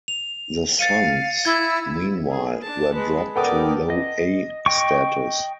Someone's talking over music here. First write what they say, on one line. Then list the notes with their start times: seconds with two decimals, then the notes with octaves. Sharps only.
The Suns, meanwhile, were dropped to Low-A status.
0.08 F7
0.79 F5 A6 C#7 D#7
1.45 E4 G#6
2.31 G#4
2.62 D4 A5
2.94 G#3 B4
3.36 B3 A4 A#4 D5 G5 D#6
3.90 D#5
4.66 D#5 G5 C#6